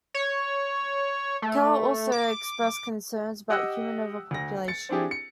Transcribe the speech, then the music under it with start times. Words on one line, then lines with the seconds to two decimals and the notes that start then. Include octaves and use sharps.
Keller also expressed concerns about human overpopulation.
0.14 C#5
1.42 A3
2.12 D6
3.50 G4 D#5 F#5 G5 E6 F#6
4.31 D2 A#6
4.68 A6 C#7
4.89 C4 D4 E4 G4 G#4
5.11 C#7